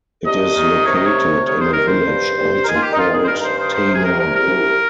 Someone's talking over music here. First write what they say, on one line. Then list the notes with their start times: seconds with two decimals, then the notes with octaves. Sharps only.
It is located in a village also called "Tana bru".
0.24 C2 D#5
0.55 D#3
0.85 C3 C#5
0.94 D#5
1.04 C#5
1.15 C2
1.46 D#3 C#5
1.58 C5
1.72 D#3 A#4
1.86 C5
2.06 G2
2.37 G2
2.62 A#4
2.67 D#3 G#4
2.75 F4
2.82 G4
2.93 D#4
2.97 D#3 F4
3.13 G#4
3.22 C5
3.28 G2 A#4
3.39 A#4
3.43 C5
3.58 D#3 C5
3.73 C5
3.89 C3
3.94 G#4
4.04 A#4
4.19 C2 A#4
4.34 A#4
4.49 C2